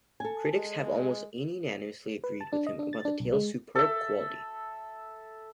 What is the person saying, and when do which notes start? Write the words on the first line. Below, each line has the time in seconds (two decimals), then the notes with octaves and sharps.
Critics have almost unanimously agreed with him about the tale's superb quality.
0.20 A4 G#5
0.56 G#3
2.24 B4
2.41 A5
2.53 D4
2.67 D#5
2.79 D4
2.93 A6
3.05 D4
3.20 B1
3.32 G#3
3.75 A4 E5